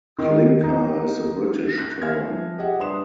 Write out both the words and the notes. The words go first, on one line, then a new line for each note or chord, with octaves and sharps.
Clinker is the British term.
D#3
D#4
F#6 G6 A#6
E5 F5 G#5 F6 G#6
F3
G4 G#4 D#5 E5 F#5
G2 D4 B4 C6 D#6 E7